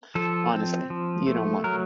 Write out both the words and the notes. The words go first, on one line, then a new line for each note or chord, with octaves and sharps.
Honestly, you don't want me.
F3 A4
C4
F3
A3
F#3 A#4